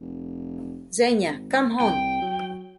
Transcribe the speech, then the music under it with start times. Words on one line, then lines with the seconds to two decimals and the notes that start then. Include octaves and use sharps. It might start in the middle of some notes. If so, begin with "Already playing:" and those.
Zhenya, come on!
0.01 F1
1.26 G#1
1.80 C2 G5
2.22 F#3